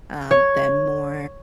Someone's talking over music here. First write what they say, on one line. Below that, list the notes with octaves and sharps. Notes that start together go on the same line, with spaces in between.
uh, them more
C#5